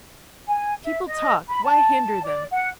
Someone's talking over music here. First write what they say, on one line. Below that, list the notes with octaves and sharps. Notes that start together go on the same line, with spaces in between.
People talk, why hinder them?
G#5
E5
D#5
B5
A5
D5
F#5